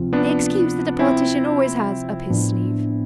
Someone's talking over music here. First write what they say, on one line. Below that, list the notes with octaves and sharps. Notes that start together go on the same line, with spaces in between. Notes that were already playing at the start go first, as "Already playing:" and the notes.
The excuse that a politician always has up his sleeve.
Already playing: D2 C3 F3 C4 F4
B3 D4
C4 E4
A2 F3 B3 D4